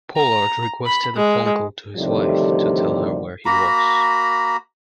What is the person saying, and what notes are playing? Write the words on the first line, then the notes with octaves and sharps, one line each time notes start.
Pollard requested a phone call to his wife to tell her where he was.
A#5
B5
G#3
D2 A2 C3 D#3 F3 G3
A#3 F#4 A#5 B5